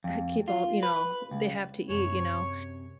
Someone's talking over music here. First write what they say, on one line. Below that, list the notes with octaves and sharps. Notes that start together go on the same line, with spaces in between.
Uh, keep all you know, they have to eat, you know,
F2
F4
B4
C#2
F#2 A2 C3 C#5